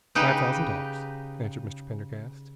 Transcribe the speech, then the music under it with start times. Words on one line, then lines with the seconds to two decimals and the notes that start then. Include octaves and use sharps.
"Five thousand dollars," answered Mr. Pendergast.
0.15 C#3 D#4 G4 B4